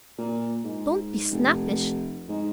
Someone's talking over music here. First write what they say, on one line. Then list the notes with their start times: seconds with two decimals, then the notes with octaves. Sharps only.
Don't be snappish.
0.18 A#2
0.64 G#2
1.31 F1
2.28 G#2